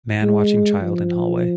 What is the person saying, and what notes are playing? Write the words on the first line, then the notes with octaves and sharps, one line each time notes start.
Man watching child in hallway.
G#3
F3